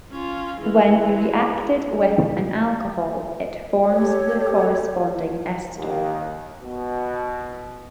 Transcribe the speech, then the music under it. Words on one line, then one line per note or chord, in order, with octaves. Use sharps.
When reacted with an alcohol, it forms the corresponding ester.
C#4 F4
E3 G#3
G4 A4 C#5
D#2
B2